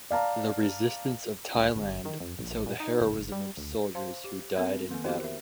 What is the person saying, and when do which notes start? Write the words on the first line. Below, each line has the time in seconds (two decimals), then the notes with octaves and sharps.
The resistance of Thailand until the heroism of soldiers who died in battle.
0.11 D5 F5 A5 A#5
1.55 C#2
1.75 G1
2.05 D#3
2.20 F2
2.39 A#1
2.66 A#2
2.80 D#4
3.01 G1
3.12 F#1
3.32 G3
3.57 D2
3.95 C5 F5 A5 C6
4.24 G4
4.56 B3 C4 A4 A#4 E5 B5
4.90 D#3 A#3 A4 G#5
5.04 B3 E4 F#4 G4 C5
5.20 A#4 E5